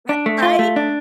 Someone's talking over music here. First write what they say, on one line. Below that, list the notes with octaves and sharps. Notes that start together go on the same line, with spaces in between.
right I uh
D4
A3
F4
A3
D4